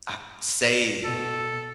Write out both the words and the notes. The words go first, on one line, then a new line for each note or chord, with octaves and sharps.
uh, say
B2 A4